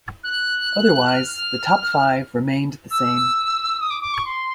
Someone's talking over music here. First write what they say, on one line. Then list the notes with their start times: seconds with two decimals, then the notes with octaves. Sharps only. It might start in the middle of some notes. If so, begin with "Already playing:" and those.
Otherwise, the top five remained the same.
0.24 F#6
1.12 F6
2.91 E6
3.80 D#6
3.90 D6
4.02 D6
4.14 C#6
4.25 C6